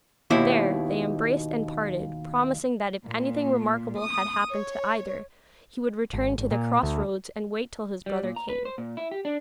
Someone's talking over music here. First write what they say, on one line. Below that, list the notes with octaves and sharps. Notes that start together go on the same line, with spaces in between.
There they embraced and parted, promising that if anything remarkable had happened to either, he would return to the cross roads and wait till his brother came.
D#2 B2 E4 E5
A#2
D#6
C#5
G#1
G#1
A#2
D2
G3
A#2
A#5
B4
C5
A#2
E4
G4
D4